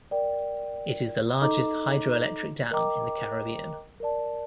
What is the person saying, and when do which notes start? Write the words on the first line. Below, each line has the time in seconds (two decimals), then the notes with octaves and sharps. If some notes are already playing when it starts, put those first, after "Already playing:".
It is the largest hydroelectric dam in the Caribbean.
0.11 A#4 D5 G5
1.41 D#4 A4 D#5 A#5 D6
2.71 A#4 D#5 G5 A#5 D6
4.00 A#4 D5 A5